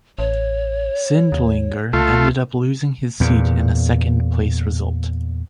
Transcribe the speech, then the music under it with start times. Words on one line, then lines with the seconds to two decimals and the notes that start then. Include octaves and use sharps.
Sindlinger ended up losing his seat in a second-place result.
0.19 A1 C#5
1.32 D#2
1.93 C#2 A3 F4 A5
3.20 E2 A#2